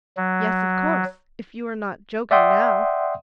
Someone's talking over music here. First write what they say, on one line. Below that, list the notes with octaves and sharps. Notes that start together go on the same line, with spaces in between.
"Yes, of course, if you are not joking now."
F#3
D5 E5 F#5 G5 C6 D#6